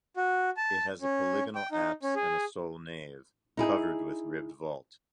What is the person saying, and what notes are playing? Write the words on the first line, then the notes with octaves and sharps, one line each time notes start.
It has a polygonal apse and a sole nave, covered with ribbed vault.
F#4
A5
C#4
G5
D#4
C#4
G#4
D#4 E4 G#4